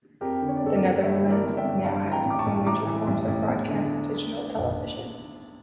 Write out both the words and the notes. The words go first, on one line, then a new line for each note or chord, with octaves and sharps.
The Netherlands now has three major forms of broadcast digital television.
F2 G4 A#4
D3
C#5
D5
G1 A4 C#5
A#4 D5
G1
G2 C#5 E5
E3 E5
A#4 D5
G1
E5 G5
G1
G2 F5 A5
E3
G5 A#5
A1
D6
A5 C#6
A1
A2 A#5 D6
E3
A1
A1
E2
D3